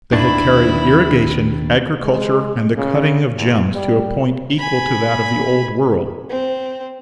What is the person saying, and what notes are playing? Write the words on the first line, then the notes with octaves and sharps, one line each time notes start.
They had carried irrigation, agriculture, and the cutting of gems to a point equal to that of the Old World.
D#2 D#3 D4 E4 B5
G#3
C#3
E2
G3
G#5 B5
C4